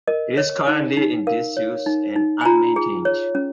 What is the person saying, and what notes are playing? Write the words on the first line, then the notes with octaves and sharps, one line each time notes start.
It is currently in disuse and unmaintained.
A#4 D#5
C#5
D#4
D#4
A#4 F5
C#5
D#4
D#4
G#5
F4 A#5
G#4
C#5
C#4